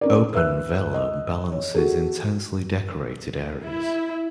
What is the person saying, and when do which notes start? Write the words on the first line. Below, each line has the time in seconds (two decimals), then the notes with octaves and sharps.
Open vellum balances intensely decorated areas.
0.01 C#4 A#4 D5
0.34 B4 E5 E6 F#6
0.94 D#5
1.52 C#5
1.74 F#4 G#4 A4
3.64 E4